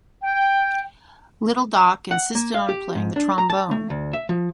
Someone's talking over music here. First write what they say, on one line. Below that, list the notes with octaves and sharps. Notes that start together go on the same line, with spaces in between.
Little Doc insisted on playing the trombone.
G5
F#5
A#3
F5
G4
G#2
D4
A#5
A5
A3
D2
E5
F3